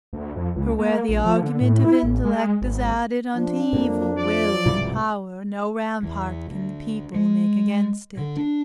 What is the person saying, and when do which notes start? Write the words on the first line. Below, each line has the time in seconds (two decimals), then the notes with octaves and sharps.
For where the argument of intellect Is added unto evil will and power, No rampart can the people make against it.
0.13 D2
0.36 F2
0.56 C#2
0.78 A#3
1.09 A#1
1.25 F3
1.41 D3
1.60 A2
1.84 E4
2.03 A1
2.25 G#3
2.61 G#1
3.34 F3 D4
3.73 F2 A#3
4.19 F3 D5
4.66 C2 G#2 B2
6.03 E2
6.50 D2
7.15 G#3
8.17 D3
8.36 D4